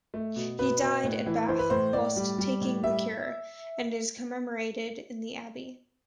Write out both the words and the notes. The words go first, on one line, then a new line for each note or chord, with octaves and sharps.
He died at Bath, whilst taking the cure, and is commemorated in the Abbey.
A3
B2
B2 B4
B2
A2
E3
E3 C5
B4
A2 C5
A2 D5
G3
G3
A2
G3 E5